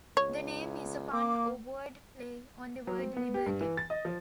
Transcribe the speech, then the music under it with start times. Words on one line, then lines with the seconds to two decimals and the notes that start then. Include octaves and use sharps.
The name is a pun or word play on the word "liberty".
0.17 C#2 C#5
1.13 A#3 D6
2.87 F#3
2.99 C4
3.17 B3
3.34 G4
3.46 G2
3.61 E3
3.77 A6
3.90 D#5
4.05 F3